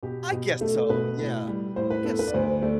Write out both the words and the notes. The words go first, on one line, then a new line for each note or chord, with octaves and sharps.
I guess so. Yeah. I guess so.
B2 G4
B2
A3 A4
B2 B4
A2
G3
A2 C5
B4
B3 A4
B4
D5
D2 C5
A3 D5